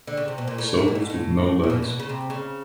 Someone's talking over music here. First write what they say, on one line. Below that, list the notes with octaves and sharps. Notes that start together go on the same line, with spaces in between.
Souls with no legs.
D3
C#3
C3
B2
A#2
A2
A2
G#2
A#2
A2
G#2
A2
A#2
B2
A#2
B2
C#3
C3
C#3